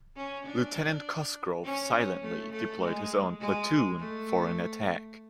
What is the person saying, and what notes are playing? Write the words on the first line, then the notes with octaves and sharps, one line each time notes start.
Lieutenant Cosgrove silently deployed his own platoon for an attack.
C#4
D4
C#4
A3
A3
G#3
G#3
A3